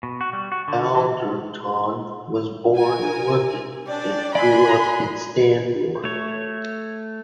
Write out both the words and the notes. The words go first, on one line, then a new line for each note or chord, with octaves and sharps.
Alderton was born in London and grew up in Stanmore.
B2
F#4
G3
F#4
D3
E3
A#4 G#5
C#4 D4 D5 G5
D5 G#5 B5 C6 F#6
A3 C#5